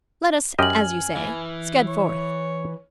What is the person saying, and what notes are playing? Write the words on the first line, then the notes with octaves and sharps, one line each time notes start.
Let us, as you say, scud forth.
F#2 G4 D#5 G#5 F6 F#7
E3
C#5